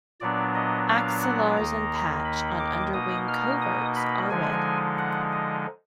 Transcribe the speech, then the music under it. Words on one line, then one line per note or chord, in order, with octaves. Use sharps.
Axillars and patch on underwing coverts are red.
A#2 F#3 B3 D4 D5
D#5
F5
F#5
D#2 D#3 A#3 D#4 A#5
B5
D6
B2 A#3 D#4 D#6
F6
D#6
B5
D3 F3 G#3 D#4 G#5
F#5
D#5